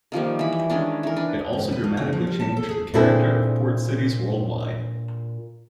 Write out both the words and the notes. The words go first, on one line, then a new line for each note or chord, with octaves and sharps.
It also dramatically changed the character of port cities worldwide.
D#3 F3 G3 A#3
E3 B5
D#3 G#3 C#4 D4
E3 A#4
D4 B4 B5
G#2
B4
A2
C#3
F3
G3
A5
A4
G#4
A#2 C4 D4 E4 G#4 A4